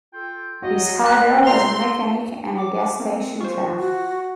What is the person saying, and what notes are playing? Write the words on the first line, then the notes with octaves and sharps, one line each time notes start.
His father was a mechanic and a gas station clerk.
F4 A4 G5
F#3 F#4 D#5
B5 F#6
C3 A3 C4 A#5 C6
D6
A#3 C4
F4 C5 C#6
F#4 F#5